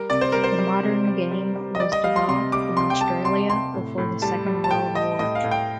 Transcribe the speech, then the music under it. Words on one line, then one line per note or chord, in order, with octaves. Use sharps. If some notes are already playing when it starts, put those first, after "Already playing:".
The modern game was developed in Australia before the Second World War.
Already playing: G3 A#4
C3 D5
C5
G3 A#4
C5
G3
C3
G3
G3
G3
D#5
G3 D5
D#5
G3 F5
C6
C3 C6
G3 D6
C3 C6
G5
G3 A5
C3 C6
C3 C6
A2
A2
G3 A5
G3
A5
A2 G5
G3 D#5
A2 D#5
F5
A2
G5